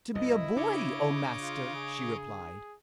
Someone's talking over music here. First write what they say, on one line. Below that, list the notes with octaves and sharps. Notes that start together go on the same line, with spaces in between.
"To be a boy, O master!" she replied.
C2 F2 E4 D#5
C#3 D4 C#5 D#5 D6
F4
G#4